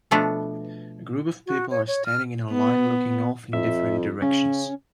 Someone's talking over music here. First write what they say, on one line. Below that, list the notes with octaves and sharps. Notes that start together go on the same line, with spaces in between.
A group of people are standing in a line looking off in different directions.
B2 F3 A3 B3 D4
F#4
C#5
C#5
F6
B3
F2 E5
C#3 C#4